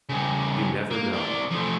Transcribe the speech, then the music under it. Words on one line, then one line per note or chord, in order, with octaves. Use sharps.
You never know.
C#3 G3
A#3
C3 D5
F3 A3